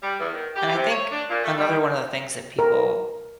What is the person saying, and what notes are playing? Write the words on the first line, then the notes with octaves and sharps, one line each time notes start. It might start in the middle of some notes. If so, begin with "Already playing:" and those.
And I think another one of the things that people
G3
E2
D#3
G4
C3
C#5
D4
A#2
A3
G3
A#4